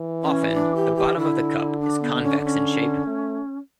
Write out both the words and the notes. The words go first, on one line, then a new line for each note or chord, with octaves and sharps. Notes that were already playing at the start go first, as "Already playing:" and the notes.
Often, the bottom of the cup is convex in shape.
Already playing: E3
C#4
E4
D4
G4
G4
D3 E4
D4
B3
B3
C#4
D4
C#4
A3